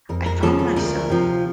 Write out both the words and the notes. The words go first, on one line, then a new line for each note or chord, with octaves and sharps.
I found myself
F2 A#4
A#4
C#3 F3 A4
A4
D2 A#4
C3 F3